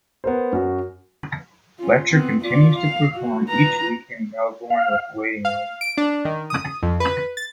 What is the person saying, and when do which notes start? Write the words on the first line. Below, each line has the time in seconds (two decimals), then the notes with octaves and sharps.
Fletcher continues to perform each week in Melbourne with Waiting Room.
0.24 B3 A#4 C5
0.53 F#2 F#4
1.79 C#4 F4
2.09 B3 C4
2.42 F4 D5
2.78 F5
3.14 F#4
3.49 B4 A#5
4.70 F5
5.45 F5
5.81 D7
5.97 D4
6.25 D#3
6.50 D#6
6.83 F2
7.00 B4
7.37 A6